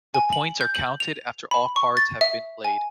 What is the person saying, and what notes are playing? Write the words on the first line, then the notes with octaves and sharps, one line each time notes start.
The points are counted after all cards have been played.
G#5
F#7
G6
F#7
F7
B5
C#6
A6
E5
G#5